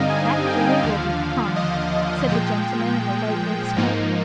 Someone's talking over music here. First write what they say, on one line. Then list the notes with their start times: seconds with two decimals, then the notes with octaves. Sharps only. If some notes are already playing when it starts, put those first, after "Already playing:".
'That boy will be hung,' said the gentleman in the white waistcoat.
Already playing: G2 D3 G3 C4 D#4 D#5 F5
0.09 G#5
0.46 G5
0.83 D#2 D3 F3 F5
1.56 D#5
2.29 A#2 F3 G#3 G5
3.76 G#2 F3 A#3 D#4